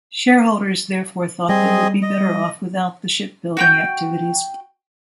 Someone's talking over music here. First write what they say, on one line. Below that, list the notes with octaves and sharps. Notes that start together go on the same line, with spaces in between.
Shareholders therefore thought they would be better off without the shipbuilding activities.
G3 C4 G#4 D#5
D#5
F#4 G5 G6